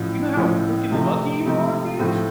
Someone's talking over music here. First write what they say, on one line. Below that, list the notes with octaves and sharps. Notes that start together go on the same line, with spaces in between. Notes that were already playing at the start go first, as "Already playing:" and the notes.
You know how freaking lucky you are, man?
Already playing: A1 A2 F3
A1 A2 F3
C3 F3 A3 C4 D#4
C3 F3 A3 C4 D#4
A2 F3 A3 C4